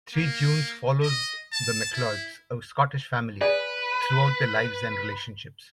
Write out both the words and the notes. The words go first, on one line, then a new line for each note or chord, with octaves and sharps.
"Three Junes" follows the McLeods, a Scottish family, throughout their lives and relationships.
A#3
D#5
A5
E4
G#4 B4 D5